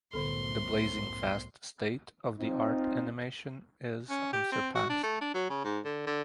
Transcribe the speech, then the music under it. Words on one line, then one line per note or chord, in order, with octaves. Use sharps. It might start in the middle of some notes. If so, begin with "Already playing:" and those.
The blazing fast state of the art animation is unsurpassed.
C2 F#2 A2 D3 B3 A4 C5 C6
C4 D#4 F4
C#4
G4
C4
F#4
D4
A3
D4
F#3
C#3
G#2
D3
D3